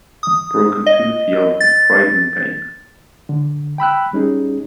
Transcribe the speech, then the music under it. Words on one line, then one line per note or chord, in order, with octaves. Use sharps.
Broken-Tooth yelled with fright and pain.
D#6
D#5
A6
D3
G5 B5 E6 F#6
G3 C#4 D#4 G#4